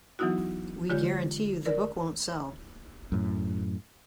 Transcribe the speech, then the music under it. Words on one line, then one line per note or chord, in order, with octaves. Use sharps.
We guarantee you the book won't sell.
E3 F#3 B3 D#4 E4 F#4
D3 G#3 F4 G4 C#5
A#4 D5
F#2 A2